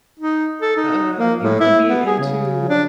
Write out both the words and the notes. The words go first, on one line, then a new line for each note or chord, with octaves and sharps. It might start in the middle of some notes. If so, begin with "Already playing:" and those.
um, you have to be into
D#4
A4
D#4
A#3
A2
E4
B3
G#4
C#3
D4